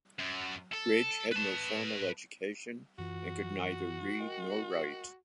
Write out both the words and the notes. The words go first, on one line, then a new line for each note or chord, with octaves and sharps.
Ridge had no formal education and could neither read nor write.
F#2
A4
B4 A5
F#2 E3 F4 F#4
A#4 D#5 G5